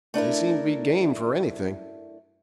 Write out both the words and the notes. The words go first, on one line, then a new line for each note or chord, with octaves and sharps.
They seem to be game for anything.
A3 D4 E4 A#4